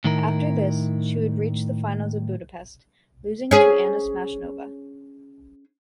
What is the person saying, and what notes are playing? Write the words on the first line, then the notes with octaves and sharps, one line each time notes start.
After this, she would reach the finals of Budapest, losing to Anna Smashnova.
A2 D#3 E4 A#4
C#4 G#4